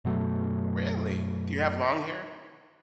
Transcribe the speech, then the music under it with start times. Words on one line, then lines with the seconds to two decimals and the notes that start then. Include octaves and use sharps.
Really? Do you have long hair?
0.05 F#2 B2 F#3 A3